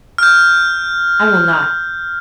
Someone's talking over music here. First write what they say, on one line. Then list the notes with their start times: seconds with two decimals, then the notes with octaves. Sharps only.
I will not.
0.18 F6 G6